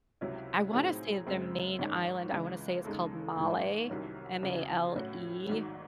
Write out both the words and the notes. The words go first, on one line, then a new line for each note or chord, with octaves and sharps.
I wanna say their main island, I wanna say is called Malé, M-A-L-E,
C#2 C3 F#3 C#4 E4
A2 F#3 C4 D#4 G#4
F#2 C#3 G#3 C4
G#1 G#2 D#3 G#3 C#4
C#2 C#3 E3 G#3
D#2 C#3 G#3 D#4 A4
A1 G#2 E3 G#3
C2 C3 D#3 F#3 C#4
E2 C#3 F#3
A2 F#3 C#4 F#4
G#1 G#2 D#3 F#3